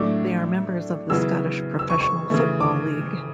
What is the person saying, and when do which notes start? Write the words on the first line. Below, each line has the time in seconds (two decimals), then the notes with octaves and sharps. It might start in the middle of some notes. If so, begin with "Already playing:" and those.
They are members of the Scottish Professional Football League.
Already playing: A2 F#3 A3 D4 D6
1.10 C#3 F#3 B3 E4 E6
1.79 E6
1.90 C#6
2.00 C#6
2.30 C#3 E3 A3
2.60 D6